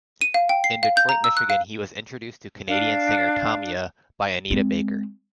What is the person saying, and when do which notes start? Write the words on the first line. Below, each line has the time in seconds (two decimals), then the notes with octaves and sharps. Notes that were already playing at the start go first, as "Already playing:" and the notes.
In Detroit, Michigan, he was introduced to Canadian singer Tamia by Anita Baker.
0.21 D#7
0.34 F5
0.49 G5
0.64 C7
0.83 F5
0.97 G6
1.09 A#5
1.24 E6
1.37 F#6
1.50 F5
2.69 D4 F5
4.51 G#3 C4